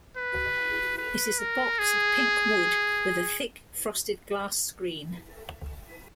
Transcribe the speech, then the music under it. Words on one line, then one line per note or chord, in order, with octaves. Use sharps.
It is a box of pink wood with a thick frosted glass screen.
B4
B4
A#4
G#4